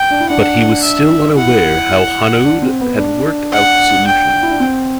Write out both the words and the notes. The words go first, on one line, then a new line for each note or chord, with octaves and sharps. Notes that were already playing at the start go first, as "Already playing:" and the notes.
But he was still unaware how Hanaud had worked out the solution.
Already playing: G5
D4
E4
D4 F#5
E5
E4 F#5
D4
C4
B3
D4
F#5
G5
E4
D4
C4